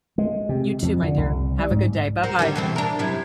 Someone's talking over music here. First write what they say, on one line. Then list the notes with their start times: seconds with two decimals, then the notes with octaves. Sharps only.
You too, my dear. Have a good day. Bye-bye.
0.18 G#3
0.49 C3
0.82 F2
1.02 D3
1.17 C2
1.59 G3
1.71 G#2
2.23 C4 F#4 A#4
2.39 D3 D#3 G3
2.56 B2 E3 C4
2.76 D4 A#4
2.99 F#2 C3 E4